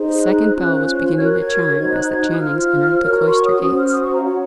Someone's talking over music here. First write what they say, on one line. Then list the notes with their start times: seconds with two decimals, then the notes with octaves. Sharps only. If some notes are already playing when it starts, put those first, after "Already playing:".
The second bell was beginning to chime as the Channings entered the cloister gates.
Already playing: D#4 G#4 C5
0.23 F#6
0.54 C#4 F4 C5
1.15 F#4 A#4 C#5 G#6
1.24 F#6
1.33 G#6
1.76 D#4 F#4 C5 G#6
1.93 F#6
2.08 G#6
2.24 F#6
2.33 D#6
2.38 F4 C5 F6
3.00 F#4 A#4 C#5
3.27 C6
3.31 C#6
3.46 D#6
3.61 C#4 F#4 C5 D#6
3.78 F6
3.92 D#6
4.03 C#6
4.13 A#5
4.19 F5
4.23 F#4 C#5 F#5